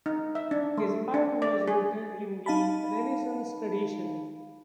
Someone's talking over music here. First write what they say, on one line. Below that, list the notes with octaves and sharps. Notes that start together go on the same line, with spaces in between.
His art was rooted in the Renaissance tradition.
D#4
E5
D4
A3
D4
D5
G#4
D#4 F5 A5 B5